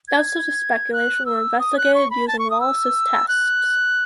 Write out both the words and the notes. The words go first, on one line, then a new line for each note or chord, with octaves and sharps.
Doubts of this speculation were investigated using Wallice's tests.
G#6
F#6
E6
D#6
F#6
C#6
B5
A5
C#6
D#6
E6
F#6